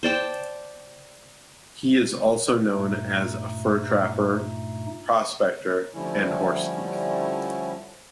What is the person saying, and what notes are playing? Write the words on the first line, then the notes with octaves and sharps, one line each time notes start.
He is also known as a fur trapper, prospector, and horse thief.
C5 D5 G5 A5
G2 A#2 A3 D#4
D3 F3 G3 A3 C#4 E4